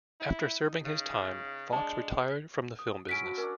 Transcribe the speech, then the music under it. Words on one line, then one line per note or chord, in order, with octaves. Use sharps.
After serving his time, Fox retired from the film business.
E4
D#4
C#3
G#3 D4 A5
D#6
F#3 C#4 B5 B6 D7
F#4 A5
C#4 D4 A#4